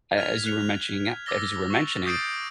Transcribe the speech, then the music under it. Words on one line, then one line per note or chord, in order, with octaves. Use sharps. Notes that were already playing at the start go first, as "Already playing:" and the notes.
a as you were mentioning, uh, a as you were mentioning,
F6 G#6 B6 F7
F6 F#6 F7
D6 E6 A6 A#6 G7
C#6
C#6 D#6 G6 A6 C7 D7